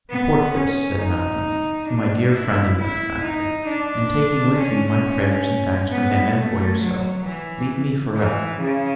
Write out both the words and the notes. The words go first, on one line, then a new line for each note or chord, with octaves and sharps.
Report this,' said Madeline, 'to my dear friend and benefactor, and, taking with you my prayers and thanks for him and for yourself, leave me for ever!'
B3
C#4
D#4
D4
E4
E4
D#4
D4
C#4
B3
A3
F#3
E3
E3
C#3